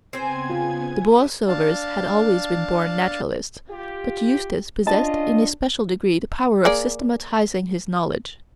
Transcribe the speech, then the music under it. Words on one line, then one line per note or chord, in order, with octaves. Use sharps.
The Borlsovers had always been born naturalists, but Eustace possessed in a special degree the power of systematizing his knowledge.
C#3 B3 C4 C5 G#5 G#6
F4
G4 E5 D#6
D4 F5 A5
F4 G4
C#4 D4 F4 D#5 A5
A#3 G#4 D5